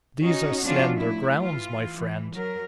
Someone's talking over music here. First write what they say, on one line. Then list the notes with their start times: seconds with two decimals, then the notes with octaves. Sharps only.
'These are slender grounds, my friend.'
0.22 C#4 D#4 F#4 C#5
0.63 F3 B3 C#4 D4 F4 F#4
0.93 A3 E4
1.38 E3 F4
1.97 E3
2.35 F#3 A#4